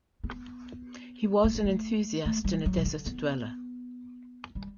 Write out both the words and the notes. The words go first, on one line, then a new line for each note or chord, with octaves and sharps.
He was an enthusiast and a desert dweller.
B3
A3
G3
A3
A3
G3
F#3
C#3
D3
B3
G3